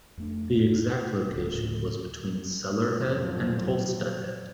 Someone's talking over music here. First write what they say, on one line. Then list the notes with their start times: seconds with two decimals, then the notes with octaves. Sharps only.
The exact location was between Cellar head and Tolsta head.
0.18 F2 A3 D4
0.87 A#2
1.31 D1 G1 D2
1.53 D2 A2 C#3
2.99 G#1 F2 A#2 F3 F#3